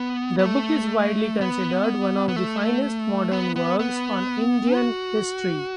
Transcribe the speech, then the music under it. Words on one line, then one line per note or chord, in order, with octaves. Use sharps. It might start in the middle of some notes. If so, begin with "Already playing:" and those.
The book is widely considered one of the finest modern works on Indian history.
Already playing: B3
B3
A3
B3
B3
A3
B3
B3
B3
F#4